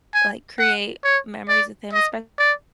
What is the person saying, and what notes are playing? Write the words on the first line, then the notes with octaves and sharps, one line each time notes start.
like create memories with him, espe
G#5
F#5
C#5
D5
D#5
D5